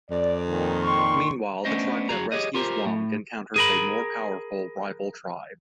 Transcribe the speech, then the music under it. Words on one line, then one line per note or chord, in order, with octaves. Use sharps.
Meanwhile, the tribe that rescues Wong encounters a more powerful rival tribe.
F2 D5
A#2 D#3
C6 C#6
A3 B3 C#4 D4 C5 D#5
F#2 F#4 G#4 A#5
G4 G#4 C#5 D#5
F4 G4 A#4 C5
A2 A3
G#4 A#4 B5